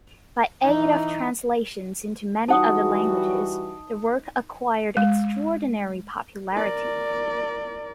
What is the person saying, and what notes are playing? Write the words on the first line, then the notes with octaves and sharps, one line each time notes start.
By aid of translations into many other languages, the work acquired extraordinary popularity.
E3 D#4
E3 G3 D#4 F#4 F#5 A5 D#6
G#3
A#4 D5